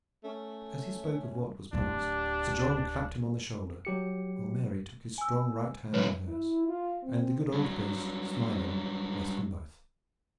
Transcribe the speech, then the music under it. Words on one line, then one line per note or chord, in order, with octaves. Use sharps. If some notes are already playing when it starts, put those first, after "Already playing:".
As he spoke of what was passed Sir John clapped him on the shoulder, while Mary took his strong right hand in hers, and the good old priest smiling blessed them both.
A3 C#4
D1 A3 D4 G4
F#3 G4 C#7
G#5 E6
G#2 F#3 B4 C#5
E4
F4
C4
G2 F#3